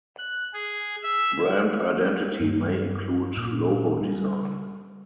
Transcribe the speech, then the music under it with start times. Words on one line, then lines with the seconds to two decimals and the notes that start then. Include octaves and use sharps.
Brand identity may include logo design.
0.19 F#6
0.54 G#4
1.03 E5
2.40 G2
3.37 A#2
4.01 G3